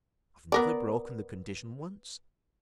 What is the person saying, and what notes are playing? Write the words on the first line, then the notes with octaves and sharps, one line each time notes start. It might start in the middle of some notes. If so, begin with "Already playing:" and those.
I have never broken the condition once.
B3 A#4 D5